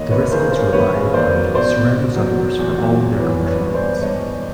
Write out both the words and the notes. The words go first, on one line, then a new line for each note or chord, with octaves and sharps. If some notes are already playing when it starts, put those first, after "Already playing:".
The residents rely on the surrounding suburbs for all their commercial needs.
Already playing: D#2 C#5 D#5
D#2 B4 C#5
C#3 A#4 C5
C#3 A#4 C5
D#2 B4 C#5
C#3
D#2 C5 D5
F#3
B2 C5 D5
B2
B2
F#3
F#3
E2
F#3
E2
E3 B4 C#5
G2
B4 C#5
G2
C5 D5
G2
G2 C#5 D#5
G2